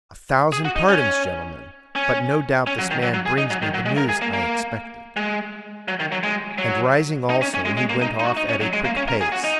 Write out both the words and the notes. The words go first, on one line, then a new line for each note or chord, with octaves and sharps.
"A thousand pardons, gentlemen; but no doubt this man brings me the news I expected." And rising also, he went off at a quick pace.
G#4
F#4
D#4
C#4
C#4
C#4
F#3
D#3
F#3
F#3
G#4
D#4
F#3
D#3
F#3
G#3
A#4
G#4
A#3
A#3
G#3
F#3
D#3
F#3
G#3
F#3
D#4
C#4
C#4
G#3
G#3
A#3
D#4
D#4
F#4
D#4
C#4
F#3
G#3
A#3
C#4
A#4
G#4
F#4
D#4